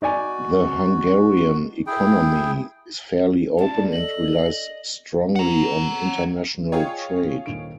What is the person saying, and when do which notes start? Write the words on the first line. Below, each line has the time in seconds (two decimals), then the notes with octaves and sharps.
The Hungarian economy is fairly open and relies strongly on international trade.
0.02 D#4 F#4 D5 G#5
1.87 E4 G#4 G5
3.58 C#4 D4 E4 F4 A5
3.92 A4 D#5 F#7
5.36 F#5 A#5
6.72 F4 G#4 C#5 D#5 G5
7.46 D#1 D#3 D7